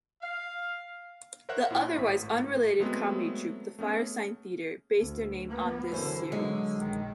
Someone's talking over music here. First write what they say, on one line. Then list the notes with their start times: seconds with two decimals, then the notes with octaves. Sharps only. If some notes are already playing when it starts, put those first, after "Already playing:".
The otherwise-unrelated comedy troupe The Firesign Theatre based their name on this series.
0.22 F5
1.49 A#4 C5 C#5 E5 F#5 F#6
1.71 A#2 E4
1.98 G#1 A2 B6
2.80 F#3 G#3 A3 B3 C4
3.79 A3 B3 C#4 G#4
4.97 D2
5.49 A#3 B3
5.92 F#2 D3 E3 C5
6.32 D3 F#3 G#3
6.79 A#1 D#3